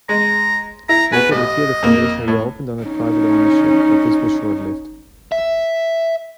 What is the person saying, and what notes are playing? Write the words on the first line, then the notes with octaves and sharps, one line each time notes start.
Later that year, the foundation reopened under private ownership, but this was short-lived.
G#3 A#5
E4 A#5
B3 F#4 B4 G#5
A1 D#5
F2 A#3
A2
C#4 D#4
E5